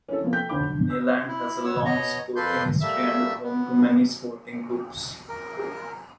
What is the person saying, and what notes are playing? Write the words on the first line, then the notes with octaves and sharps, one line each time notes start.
Neyland has a long sporting history and is home to many sporting groups.
C#4 E4 A4
C3 F3 A#3 B3
A4 G5 G6 B6
D2 C#4 D#4 B5 D6
D3
E6
E4
B3 C#5 E6
B2 C#5 D#5 A#5
F2 A#3 A4 B4 C6 G6
G3 A3 A#3 E5 E6
B3
A#4